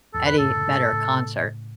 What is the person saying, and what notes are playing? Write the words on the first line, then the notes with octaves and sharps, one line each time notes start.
Eddie Vedder concert.
E2 G#2 A4
B4
F#2 A2 A4
C#3
G#2 B2
A2 C#3